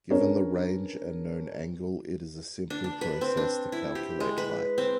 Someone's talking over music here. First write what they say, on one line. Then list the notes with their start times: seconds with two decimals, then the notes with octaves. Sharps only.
Given the range and known angle it is a simple process to calculate height.
0.10 C#4 D4 G#4 A#4 B4 C#5
2.70 D4
2.84 D4
3.01 B4
3.21 C4
3.37 D4
3.72 E4
3.95 G4
4.20 G#3
4.38 B4
4.78 C4